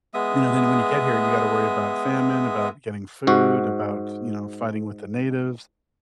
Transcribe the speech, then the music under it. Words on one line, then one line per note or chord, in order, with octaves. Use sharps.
you know, then when you get here, you gotta worry about famine, about getting food, about, you know, fighting with the natives,
G#3 B3 E5 D#6
G#2 F#4